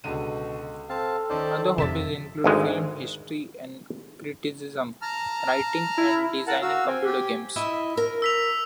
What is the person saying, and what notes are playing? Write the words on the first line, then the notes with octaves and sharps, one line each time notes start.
Other hobbies include film history and criticism, writing, and designing computer games.
C#2 B2 D3 D#7
C4 A4 F5 A5
D#3 C#4 D#4 C5 D5 A5
F2 C3 E5 A6 B6 E7
G#1 D2 G#3
A5 A#5 F6
E4
A#4 F#5 A5
F#4 F5 E6
C4 G#5
G4
E4 D#5 E5
A#4
E6 B6 F7